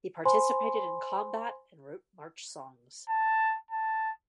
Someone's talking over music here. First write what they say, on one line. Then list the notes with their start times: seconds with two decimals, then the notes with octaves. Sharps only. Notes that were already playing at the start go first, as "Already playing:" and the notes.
He participated in combat and wrote march songs.
0.25 C5 G#5 B5 C6
3.10 A5
3.71 A5